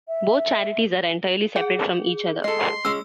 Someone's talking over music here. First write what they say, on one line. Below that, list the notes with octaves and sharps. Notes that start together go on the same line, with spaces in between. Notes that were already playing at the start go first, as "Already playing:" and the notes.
Both charities are entirely separate from each other.
E5
G#4 F#5 G5
G#3 A4 D#5 C6
G#3 C#4 E6